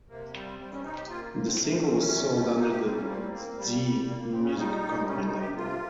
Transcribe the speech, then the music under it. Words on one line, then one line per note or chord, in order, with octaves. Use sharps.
The single was sold under the Zee Music Company label.
C3 A#3
G3 C4
G3 C4
C#4
C3 D#4
G4
A#3 F4
A#3
C4
C3 A#3
C4
C#4
C3 C4
C#4
G3
C3
A#3 D#4
G4
G3 C4
C#4
A#3 C4
A#3 C4
G3
G3
A#3
A#3
C#3 C4
C#4
G3 D#4
G3
C4
C3 C#4
D#4
C3
G4
C3 F4